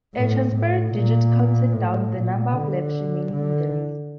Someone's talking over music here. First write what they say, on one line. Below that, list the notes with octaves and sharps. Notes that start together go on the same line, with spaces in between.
A transparent digit counted down the number of laps remaining in the race.
A2
A2
A#2
A2
A#2
D3
D3